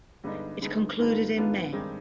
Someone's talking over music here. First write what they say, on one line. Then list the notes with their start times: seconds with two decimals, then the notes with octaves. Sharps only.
It concluded in May.
0.24 G2 D3 G#3 B3 D#4
0.61 G2 D3 G#3 B3 D#4
0.99 G#2 D#3 B3 D4 F4
1.36 G#2 D#3 B3 D4 F4
1.73 G2 D#3 G#3 C4 D#4